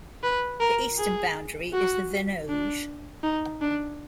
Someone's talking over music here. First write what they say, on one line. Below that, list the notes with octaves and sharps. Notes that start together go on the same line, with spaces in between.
The eastern boundary is the Venoge.
B4
A#4
G#4
F#4
D4
D#4
D4